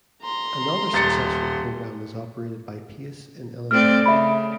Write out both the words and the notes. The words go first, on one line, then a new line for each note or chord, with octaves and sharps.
Another successful program is operated by Pace in Illinois.
A#5 C6
D#1 A6 C#7
A3 C4 D5 F6
C#3 E5 B5